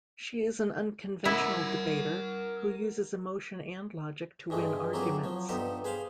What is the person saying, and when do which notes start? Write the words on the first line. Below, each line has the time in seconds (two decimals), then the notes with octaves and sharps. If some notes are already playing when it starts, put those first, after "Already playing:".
She is an unconventional debater who uses emotion and logic to win arguments.
1.25 E4 A#4 F#5
4.50 G2 E3 G#3 A3
4.93 F#3 A#3 C4 E4 F4 G#4
5.24 F3 F#3
5.49 G2 B3 D#4 F4 G4 A4
5.84 G#4 B4 C5 F5